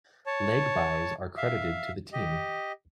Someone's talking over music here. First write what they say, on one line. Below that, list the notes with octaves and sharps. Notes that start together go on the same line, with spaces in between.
Leg byes are credited to the team.
C#5 A5
E5 F5
G4 D#5